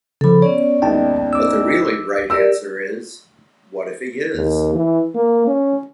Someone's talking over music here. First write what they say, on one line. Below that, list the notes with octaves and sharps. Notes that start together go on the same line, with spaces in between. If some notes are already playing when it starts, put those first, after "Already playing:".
But the really right answer is, what if he is?
C#3 F3 A4 B5
B3 C#4 C#5 D5
D#2 G#2 G5 A5
D6 E6
G4 A#4 D5 E6
D#2
E3
A#3
C#4